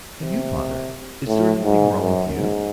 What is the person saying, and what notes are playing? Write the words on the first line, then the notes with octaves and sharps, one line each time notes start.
"And you, father--is there anything wrong with you?"
C3
A2
G#2
F#2
G#2